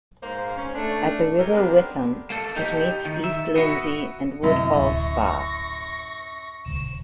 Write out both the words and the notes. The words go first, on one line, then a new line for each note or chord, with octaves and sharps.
At the River Witham, it meets East Lindsey and Woodhall Spa.
G#2 A#3 C5
C#4
A3 D4
C#4 D#4 G4 A4 A#4
B3 C4 D4 G4 A#4 B4
A#3 A4
D#4 G4
D#3
E5
B3 F#4
F#2 C3 F#3 E4 D#5
D1 C#6 A#6
D#1 C#2 E7